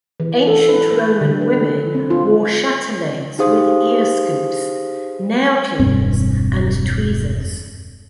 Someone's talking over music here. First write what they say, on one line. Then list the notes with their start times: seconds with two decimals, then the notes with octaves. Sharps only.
Ancient Roman women wore chatelaines with ear scoops, nail cleaners, and tweezers.
0.20 E3
0.47 A4
0.68 B4
0.91 B4
1.21 D3
1.41 B4
1.94 C4
2.10 F4
3.39 D#4 G4 G#4 C5 F5 D#6
5.79 E1 G2 C4